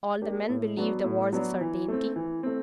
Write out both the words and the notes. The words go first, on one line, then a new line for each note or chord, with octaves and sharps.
All the men believe the war's a certainty.'
A#3 D4 G4
A2
F#3 B3 D4 F#4
A2
F#3 B3 D4 F#4
E3
A3 C4
E3
A3 C4